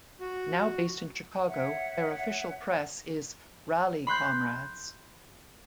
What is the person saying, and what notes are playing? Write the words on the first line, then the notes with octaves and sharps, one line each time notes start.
Now based in Chicago, their official press is Rally, Comrades!
F#4
C#5 E5 F#5
B5 C6 F#6 G6